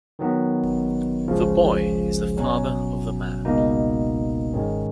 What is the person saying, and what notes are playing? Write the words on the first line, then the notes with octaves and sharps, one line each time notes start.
The boy is the father of the man.
D#3 F#3 B3
C#2 C#3 F3
B2 F#3 C#4
C#2 B2 A#3 D#4
G#2 D#3 G#3 C#4